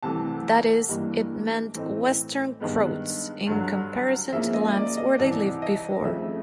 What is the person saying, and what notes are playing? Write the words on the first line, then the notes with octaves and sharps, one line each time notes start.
That is, it meant "Western Croats", in comparison to lands where they lived before.
C2 C3 E3 A3 A5
G2 E3 G3 A#3 D#4
A2 E3 A3 C4 D#4
G2 D#3 G#3 B3
G2 D3 F#3
C#3 F3 A#3 C#4 E5
D#5
D#5
D5
D#5
C2 C3 E3 D5
D#5
F2 C#3 F3 A3 E5